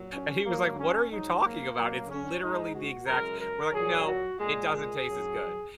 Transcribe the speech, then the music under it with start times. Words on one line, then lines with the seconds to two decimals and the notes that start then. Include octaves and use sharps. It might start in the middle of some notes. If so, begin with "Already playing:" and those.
And he was like, "What are you talking about? It's literally the exact" we're like, "No, it doesn't taste as good."
Already playing: A#2 F#3
0.11 C#4
0.44 G#2 F#3 A#3
0.77 C#4
1.10 G#2 F#3 D#4
1.43 A#3
1.76 F#2 F#3 A#3
2.08 C#4
2.41 G#2 G#3 D#4
2.74 F#4
3.07 F#2 C#3 G#3 A#4
3.39 A#4
3.73 A#2 F#3 G#4
4.06 F#4
4.38 A#2 G#3 G#4
4.71 G#4
5.04 F#2 F#3